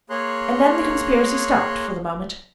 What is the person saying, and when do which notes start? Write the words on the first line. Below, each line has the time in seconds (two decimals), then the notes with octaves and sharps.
And then the conspiracy stopped for the moment.
0.10 A#3 G#4 C#5 A#5 C6 F#6